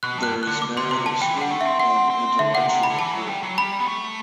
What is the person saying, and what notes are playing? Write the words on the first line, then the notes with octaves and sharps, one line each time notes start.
There is narrative sweep and intellectual grip.
B2 F#6
G2 F#6
F#6
D3
D6
D3 C6
C3 C6
D3 A5
E3 G5
G3 F#5
A3
E5
C4
C4 F#5
C4
D3 E5
C3 F#5
C3
B5
D3
E3 A5
F#3
G3
F#3
G3 B5
B3
A3